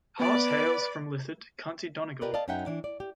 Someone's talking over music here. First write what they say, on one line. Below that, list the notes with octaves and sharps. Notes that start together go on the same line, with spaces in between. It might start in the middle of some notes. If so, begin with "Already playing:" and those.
Harte hails from Lifford, County Donegal.
B3 B4 D5
F4 G4 A#4 B4 D5 D#5
D5 D#5 F5 A5
F#2 C#4 D#4 E5 F#5 G5
E3 D4
D5
G4